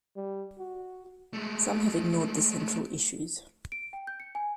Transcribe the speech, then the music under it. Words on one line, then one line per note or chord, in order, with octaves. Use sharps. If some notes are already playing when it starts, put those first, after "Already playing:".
Some have ignored the central issues.
G3
F#4
G#3 A3
D7
G5
G6
C#7
G#5